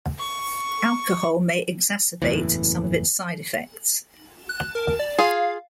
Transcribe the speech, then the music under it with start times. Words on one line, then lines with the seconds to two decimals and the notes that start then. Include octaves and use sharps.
Alcohol may exacerbate some of its side effects.
0.19 C#6
2.22 F#1 E2 A2 E3
4.49 F#6
4.75 A#4
4.99 D5
5.18 F4 G#4 F5